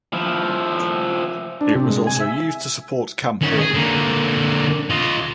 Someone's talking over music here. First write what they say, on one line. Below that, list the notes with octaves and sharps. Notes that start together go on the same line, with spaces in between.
It was also used to support Camp Horn.
F3 E4
D4
C3
G#3
G#5
E5
D#3 C#4
G#4
D3 A#3
F4 D#5